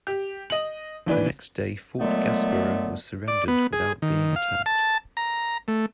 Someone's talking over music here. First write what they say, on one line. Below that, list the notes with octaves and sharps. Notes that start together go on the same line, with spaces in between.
The next day Fort Gaspereau was surrendered without being attacked.
G4
D#5 F#7
D#2 E3 D4 B4
A#2 D3 F#3 G#3 A3 B3
D5
B3
G#4
D#3
F5
A5
A#5
A3